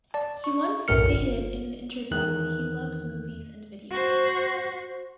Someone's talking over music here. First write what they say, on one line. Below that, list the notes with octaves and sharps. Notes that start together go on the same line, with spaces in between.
He once stated in an interview that he loves movies and video games.
D5 A5
C#6
B1 F#2 A2 A#4 F6 C#7
G1
E2 D#3 F#6
F#4 C5